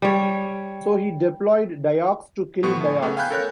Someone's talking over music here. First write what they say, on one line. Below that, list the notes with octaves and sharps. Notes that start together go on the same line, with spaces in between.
So he deployed Dayaks to kill Dayaks.
G3 C#5
A2 F3 B3 C#6
A2 G#5
C#3 A3 B3
F5 G5 G#5 B5 F#6 G6
A4 A#4 C#5 F#6